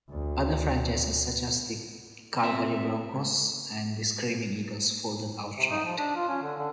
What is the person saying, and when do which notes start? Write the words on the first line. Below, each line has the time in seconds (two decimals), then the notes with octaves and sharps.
Other franchises, such as the Calgary Broncos and the Screaming Eagles, folded outright.
0.11 D2
2.43 C4 E5
3.14 C#2
5.58 C3
5.70 D#4
5.85 F3
5.98 D4
6.15 F4
6.29 C#4
6.43 D3
6.58 D3